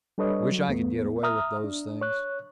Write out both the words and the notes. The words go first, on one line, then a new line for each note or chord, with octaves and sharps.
Wish I could get away with those things.
G3 D4 A4 B4 C#5 D#5
F#3
E2 A3 B3
E5 A#5 D#6 F6
D4
C#5 F#6